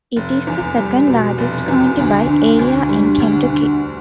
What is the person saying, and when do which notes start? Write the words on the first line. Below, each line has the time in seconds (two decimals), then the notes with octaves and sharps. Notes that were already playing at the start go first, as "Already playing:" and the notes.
It is the second-largest county by area in Kentucky.
0.16 F1
0.47 E2
0.77 G3
1.07 B2
1.38 F1
1.68 E2
1.99 D2
2.29 D3
2.59 D2
2.89 G3
3.20 D2
3.49 D3